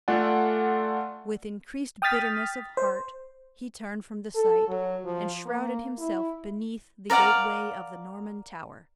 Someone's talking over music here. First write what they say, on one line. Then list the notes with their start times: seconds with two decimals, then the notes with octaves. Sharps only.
With increased bitterness of heart, he turned from the sight, and shrouded himself beneath the gateway of the Norman Tower.
0.08 A3 F4 A4 D5 F#5 G#5
2.02 G5 D#6 F6 A6 B6
2.77 C5
4.35 A4
4.68 F#3
5.05 F3
5.46 A#3
5.98 E4
7.10 A#4 D5 F5 F#5